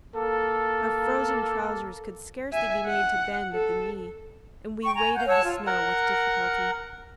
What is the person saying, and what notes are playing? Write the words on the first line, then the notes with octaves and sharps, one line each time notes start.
Our frozen trousers could scarcely be made to bend at the knee, and we waded the snow with difficulty.
A#3 A4
E5 G#5
F#5
A4
G5 C#6
G#5 A#5
F5 F#5 G6
C#5 F#5 A5 E6
F4
A#4 F#5